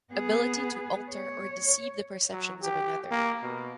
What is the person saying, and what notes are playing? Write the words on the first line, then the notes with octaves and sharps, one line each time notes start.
Ability to alter or deceive the perceptions of another.
B3 G#4
C#5
F#3
G4
A#3
B2